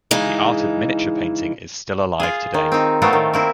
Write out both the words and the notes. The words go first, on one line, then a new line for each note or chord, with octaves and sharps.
The art of miniature painting is still alive today.
C#3 E3 G#3 D#4
F4 G#4
D#3
C4 D#4
A2 F#3 A3 B3 C4 F4
D#3
A#3 C4 E4